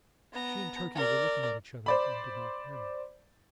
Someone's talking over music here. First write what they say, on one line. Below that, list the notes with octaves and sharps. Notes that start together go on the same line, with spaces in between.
She and Turkey were looking at each other, and did not hear me.
B3 A#5
A#4 D5
C5 D5 B5